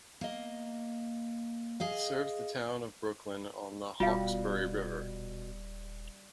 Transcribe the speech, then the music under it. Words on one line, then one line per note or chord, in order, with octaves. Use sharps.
It serves the town of Brooklyn on the Hawkesbury River.
A#3 D#5
G#4 D#5 F5
D#1 B2 G3 F4 F#4 F5